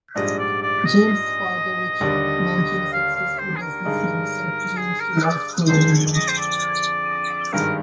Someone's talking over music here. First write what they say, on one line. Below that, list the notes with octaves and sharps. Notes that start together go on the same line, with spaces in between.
James' father, Richard Mancham, a successful businessman, sent James to law school in England.
A#1 G#2 G3 D4 D#5
D5
D5
D#5
D#2 D3 G3 D4
F5
F5
C5
G#4
A#4
G2 D3 G#3 D#4
G#4
A#4
D5
F2 D3 G#3 C5
D#5
C5
D5
G#1 G2 D#3 G#3 A#4